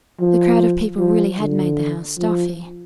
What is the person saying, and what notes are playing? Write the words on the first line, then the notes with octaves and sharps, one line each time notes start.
The crowd of people really had made the house stuffy.
F3
F3
D3
F3